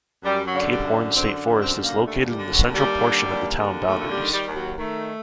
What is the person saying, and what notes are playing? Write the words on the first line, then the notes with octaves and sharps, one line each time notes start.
Cape Horn State Forest is located in the central portion of the town boundaries.
F#2 G3
F#3
D3
G3
F#2
D3 C4
F#2
C4
D3
A#3
D#2 A3
G3
D3
F#3
D#2
G3
D3
D#2
D3
D#2 A3
A3
G3
D#3
G3
D#2
F#3
D#3 A3